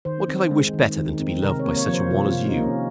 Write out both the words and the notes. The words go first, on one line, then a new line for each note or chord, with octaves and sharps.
What could I wish better than to be loved by such a one as you?
D#3 C5
C4
G#3
D#3
D#3
C4
C3 A#4
C#5
A#3
C#5
F3
C5
C3 F4
F4
C3
D#4
A#3
C#4